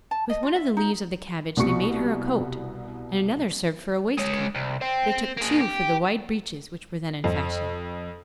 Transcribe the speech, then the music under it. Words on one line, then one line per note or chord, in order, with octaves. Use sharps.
With one of the leaves of the cabbage they made her a coat, and another served for a waistcoat; but it took two for the wide breeches which were then in fashion.
A5
D#5
F4
E5
D#4
C2 B2 G4 C#6 C#7
G#3 C#5
C2
C5 G5
A#3 G#4
G4
F2